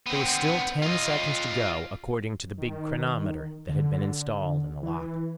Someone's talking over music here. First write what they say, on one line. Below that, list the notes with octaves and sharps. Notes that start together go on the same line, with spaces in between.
There was still ten seconds to go, according to the big chronometer that had been installed in the lock.
B3 C4
F4 D#5
D#3
D3
E3